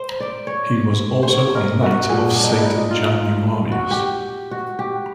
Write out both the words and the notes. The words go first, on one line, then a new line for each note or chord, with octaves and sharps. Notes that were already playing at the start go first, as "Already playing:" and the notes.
He was also a Knight of Saint Januarius.
Already playing: C5
D5
C#5
C5 C#5
A#4
F#4
A#2 F#3 G#4
D4
D#4
D4
D#4 E4
F4
F#4
G4
F#4
G4